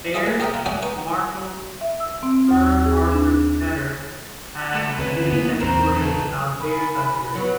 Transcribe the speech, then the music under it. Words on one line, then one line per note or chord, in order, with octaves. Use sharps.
Air Chief Marshal Sir Arthur Tedder had his headquarters in Algiers, Algeria.
E4 F4 G#4 D#5 E5
A#3
G4 A#4 D#5 E5 F#5 G5
F4
F#4 G#4 D5 E5 F#5 G5
D#4 B4 C#6
E5
E6
C4
D#2
G#4
D4
G3 A3 F#4 A4
D2 C3 F#3 C#4 F#4 B4
F1 A#3 B3
A#1 E2 D#3 C4 B4 A#5
F#3 A4
A#4 G#5 B5
F#3 B3